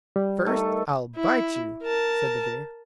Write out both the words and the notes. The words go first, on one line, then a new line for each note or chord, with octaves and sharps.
"First, I'll bite you," said the bear.
G3
D#3 A3 A4
E4
A#4 A5